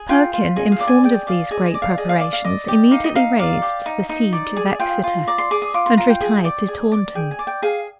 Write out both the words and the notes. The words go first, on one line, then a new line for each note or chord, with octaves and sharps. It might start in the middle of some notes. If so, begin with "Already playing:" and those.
Perkin, informed of these great preparations, immediately raised the siege of Exeter, and retired to Taunton.
Already playing: G#4
F4 G5
F4
G#4 D#5
F5
D5
G#5
G#4 G5
D5 F5
G#4 D#5
D#5
D5
F5
G#4 D#5
F5
D5
F5
D5 D#5
G4
D#4 F5
D#5
D#4 F5
D5 F5
G4
D#4
D#4
D5
G#4
F4 G5
F4
D5 A#5
C6
G#4 D6
D#6
F4 D6
C6
F4 A#5
G5
G#4
D5
G#4
D5
G#4 G5
G#5
D5
G5
G#4 F5